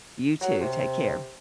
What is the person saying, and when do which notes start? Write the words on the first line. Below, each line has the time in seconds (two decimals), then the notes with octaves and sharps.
You too, take care.
0.41 F#3
0.61 C3